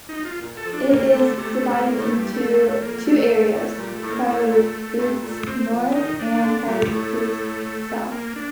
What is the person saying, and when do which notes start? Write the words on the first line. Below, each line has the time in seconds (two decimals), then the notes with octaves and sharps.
It is divided into two areas: Coyote Buttes North and Coyote Buttes South.
0.09 D#4
0.25 F4
0.41 A#2
0.57 A4
0.65 F3
0.73 D4
0.89 D#3 A#3
1.06 A3
1.14 D3
1.21 A3
1.37 C3 A3
1.62 C3
1.85 A2 A#3
1.98 A2 A3
2.10 G2
2.17 G3
2.34 F2 A3
2.58 G2
2.82 F2 A#3
3.05 A3
3.30 G2 A3
3.54 A2 A3
3.78 A#2 G3
3.95 A3
4.02 A2
4.10 A#3
4.26 A2 A3
4.51 A#2
4.98 G2
5.23 A#2 A3
5.46 C4
5.71 F3
5.95 D#3 D#4
6.19 D4
6.34 D#3
6.43 D3
6.67 A#2 G3
6.91 A2 A3
8.12 A#3
8.36 D4